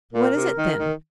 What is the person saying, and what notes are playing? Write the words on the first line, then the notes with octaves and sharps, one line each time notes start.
"What is it, then?"
A#2 A#4
C3
D#3
D#3